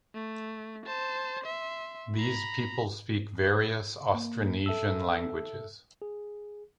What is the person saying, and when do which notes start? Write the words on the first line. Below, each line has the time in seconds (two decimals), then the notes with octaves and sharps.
These people speak various Austronesian languages.
0.15 A3
0.86 C5 A5
1.44 E5 C6
2.17 A#5 B5
4.14 A#3
4.66 A4 E5 A5 E6
6.02 G#4